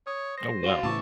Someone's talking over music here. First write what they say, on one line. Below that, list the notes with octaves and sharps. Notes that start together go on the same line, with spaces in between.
Oh, wow.
C#5 D#6
C5 A#6
F#4 F5
A2 C#3 E3 A5 C#6 D6 E6